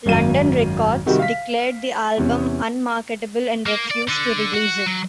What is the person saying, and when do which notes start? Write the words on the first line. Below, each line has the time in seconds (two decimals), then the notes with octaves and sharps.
London Records declared the album unmarketable and refused to release it.
0.06 G#1 F#2 F5 D#7
1.06 C3 D#3 G3 F#4 G4
1.19 F5 B6
2.18 E2 C3 C#4
3.66 A#3
3.90 D5
4.08 D3
4.53 F#4
4.86 F#3